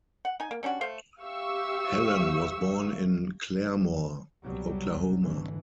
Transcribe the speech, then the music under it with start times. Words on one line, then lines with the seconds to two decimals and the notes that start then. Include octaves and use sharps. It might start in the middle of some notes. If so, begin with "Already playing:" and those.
Helen was born in Claremore, Oklahoma.
0.25 F#5
0.40 D#4 G#5
0.51 A#3
0.63 G3 C#4 D4 F#4
0.81 A3 C5 F5
1.20 G4 E5 F5 C#6 E6
4.42 C2 B2 F#3 G3
5.21 G#1 F2 D3 E3